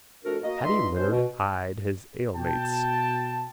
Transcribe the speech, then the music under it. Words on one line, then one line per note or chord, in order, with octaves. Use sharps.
Paddy Leonard eyed his alemates.
F2 A3 D4 F#4 A4 A#4
A#3 F#4 D#5
G2 D#4 F4 D#5 E5 C6
B2 C#4 D4 C5
B2
B2 G5 A5